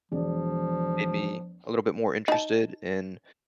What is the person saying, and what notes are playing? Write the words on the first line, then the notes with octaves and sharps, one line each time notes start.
made me a little bit more interested in
E1 F3 D5
D#4 A5